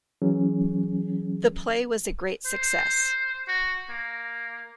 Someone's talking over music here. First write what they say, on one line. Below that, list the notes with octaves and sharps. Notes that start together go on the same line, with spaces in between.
The play was a great success.
E3 F#3 C#4 G#4
C5
F#4
A#3